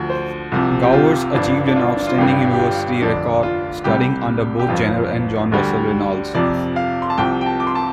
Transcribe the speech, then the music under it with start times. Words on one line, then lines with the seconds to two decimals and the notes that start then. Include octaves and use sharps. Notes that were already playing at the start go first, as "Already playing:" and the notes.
Gowers achieved an outstanding university record, studying under both Jenner and John Russell Reynolds.
Already playing: D2 D3 F3
0.10 C5
0.52 C2 C3 F3
0.83 G4
0.92 F4
1.34 G1 G2 F3 D4
1.67 D4
1.76 F4
1.96 D4
2.07 F4
2.18 G1 G2 G3 G4
2.53 G4
2.59 F4
3.01 F1 F2 D3 D4
3.43 F4
3.84 C2 C3 G3 G4
4.59 G4
4.68 G1 F2 F3 F4
5.52 D2 D3 G3
6.35 F2 C3 F3 D5
6.76 F5
7.02 C6
7.10 A5
7.18 C2 C3 F3 G5
7.41 G5
7.46 A5
7.60 D6
7.67 C6
7.75 A5